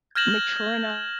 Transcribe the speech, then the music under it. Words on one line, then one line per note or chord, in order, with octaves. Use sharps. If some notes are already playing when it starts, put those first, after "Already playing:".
mature enough
F6 G6 G#6 A#6 E7 F#7